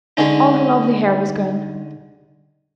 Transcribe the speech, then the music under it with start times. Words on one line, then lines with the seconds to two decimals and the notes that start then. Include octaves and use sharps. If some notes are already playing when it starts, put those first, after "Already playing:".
All her lovely hair was gone!
0.17 D3 G#3 C#4 D#4